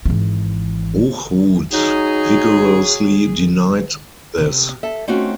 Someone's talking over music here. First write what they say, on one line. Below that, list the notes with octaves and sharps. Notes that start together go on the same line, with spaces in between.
Hochhuth vigorously denied this.
G#1 E3
F#3 D#4 G#4
C3
A4 E5
A3 C4 C#4 D#4 F4 F#4